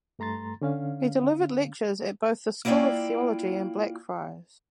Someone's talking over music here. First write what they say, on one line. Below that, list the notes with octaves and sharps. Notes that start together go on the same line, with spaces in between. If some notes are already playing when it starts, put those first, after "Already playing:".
He delivered lectures at both the School of Theology and Blackfriars.
G2 A3 A#5 C6 A6
D3 C#4 F5
A#3 E4 F4 D5 G5